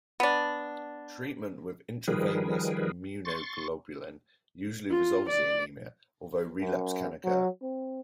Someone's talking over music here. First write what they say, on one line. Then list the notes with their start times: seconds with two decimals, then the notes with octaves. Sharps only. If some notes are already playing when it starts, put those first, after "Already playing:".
Treatment with intravenous immunoglobulin usually resolves the anemia although relapse can occur.
0.20 B3 D4
2.08 D#3 F3 G3 G#4 A#4 B4
3.25 C6 C#6 A6
4.91 F4
5.29 D5
6.60 F#2
7.24 F#3
7.62 C4